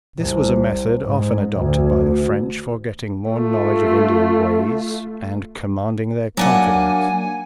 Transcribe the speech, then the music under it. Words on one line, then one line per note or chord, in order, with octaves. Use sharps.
This was a method often adopted by the French for getting more knowledge of Indian ways and commanding their confidence.
C2
G#2
D2
A3 F4
F#3 A#3 D4 F#5 G#5